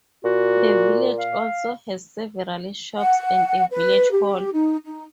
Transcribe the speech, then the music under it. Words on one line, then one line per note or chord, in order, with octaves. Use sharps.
The village also has several shops and a village hall.
A#2 F#4
F5
F#5
B4
G4
D#4
D#4